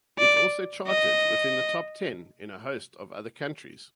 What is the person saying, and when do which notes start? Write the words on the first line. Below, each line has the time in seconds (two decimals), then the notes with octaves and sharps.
It also charted within the top ten in a host of other countries.
0.19 D5
0.88 D#5